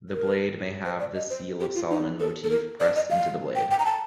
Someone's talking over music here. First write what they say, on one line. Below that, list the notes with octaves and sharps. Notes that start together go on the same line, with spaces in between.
The blade may have the Seal of Soloman motif pressed into the blade.
A#4
C5
D5
D#5
C5
G4
F4
D#4
A4
A4
A#4
D5
D#5
F5
G5
G5
A#5
A5